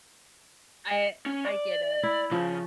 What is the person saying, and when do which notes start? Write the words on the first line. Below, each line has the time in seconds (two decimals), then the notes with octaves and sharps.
I I get it.
1.26 C#4
1.45 D5
2.03 E4
2.31 C#3 F3